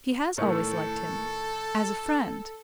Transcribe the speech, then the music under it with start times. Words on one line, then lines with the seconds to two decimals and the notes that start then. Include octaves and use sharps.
"She has always liked him--as a friend."
0.38 A2 D#3 A3 A4